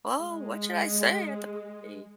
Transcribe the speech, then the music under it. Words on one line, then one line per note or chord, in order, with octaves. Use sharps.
"Woah, what should I say at the party?"
G#3